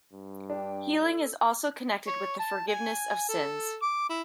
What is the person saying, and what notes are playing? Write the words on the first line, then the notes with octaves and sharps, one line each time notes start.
Healing is also connected with the forgiveness of sins.
G2
D4 G5
A4
C#5
A5
G#5
A4
D6
E4